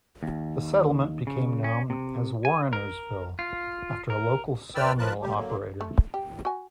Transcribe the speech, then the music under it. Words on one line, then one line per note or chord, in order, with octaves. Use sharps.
The settlement became known as Warrinersville, after a local sawmill operator.
D#2
C#3
C#4
C3
G#5
A#4
F4
A#4
B4 D5 G5 E6 F6
F3 F4 A#4 B4 A5 F#6
G3 A3 G4
D3 F#3 A#3
A3
G4
F#4 G#5